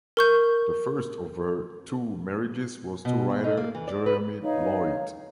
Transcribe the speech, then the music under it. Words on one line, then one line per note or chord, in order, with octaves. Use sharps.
The first of her two marriages was to writer Jeremy Lloyd.
A#4 C#6 G6
B2
E2
D#4
A#3
E3
D5
B4
D#4 B4 C#5 F5